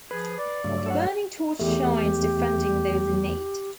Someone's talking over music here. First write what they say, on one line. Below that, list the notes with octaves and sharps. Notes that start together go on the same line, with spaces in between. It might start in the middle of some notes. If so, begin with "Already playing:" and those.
The burning torch shines defending those in need.
F3 G#4 B4
D5
G2 C#3 F#3 A3
A4 C#5 F#5
E2 A3 G4